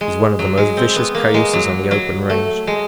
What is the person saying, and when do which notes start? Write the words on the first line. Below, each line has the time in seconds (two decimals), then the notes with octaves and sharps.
He's one of the most vicious cayuses on the open range.
0.01 G#3
0.39 F#3
0.57 G#3
0.77 C4
0.96 B3
1.15 A#3
1.34 G#3
1.53 F#3
1.91 F#3
2.30 A3
2.67 G#3